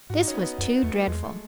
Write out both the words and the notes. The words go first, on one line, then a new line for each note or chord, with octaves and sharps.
This was too dreadful.
G#2 F#4
D#4
C#4
B3
F#2 B3
E2 A3
E2 G#3
A3